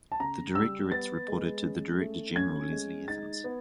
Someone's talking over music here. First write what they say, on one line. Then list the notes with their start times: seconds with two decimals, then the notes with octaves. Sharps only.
The Directorates reported to the Director-General Leslie Evans.
0.12 A5
0.20 C#3 A#5
0.55 G3 E6
0.92 B3 A6
1.28 G#3
1.63 C#4
2.01 A3
2.36 C#4 G#6
2.72 G#3
3.08 D#4 A6
3.44 B3